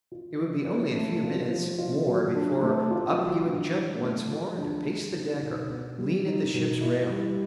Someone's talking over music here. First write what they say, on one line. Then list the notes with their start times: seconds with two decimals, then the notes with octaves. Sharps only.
It would be only a few minutes more before up he would jump once more to pace the deck or lean at the ship's rail.
0.12 F4
0.38 F3
0.66 C#4
0.95 A3
1.23 F4
1.51 F3
1.79 F4
2.06 F#3
2.35 D4
2.62 A3
2.91 F4
3.18 F#3
3.46 D4
3.74 D3
4.03 A3
4.30 F3
4.58 D4
4.86 D3
5.14 D#4
5.42 B2
5.70 B3
5.99 G3
6.26 D#4
6.54 B2
6.81 E4
7.10 G3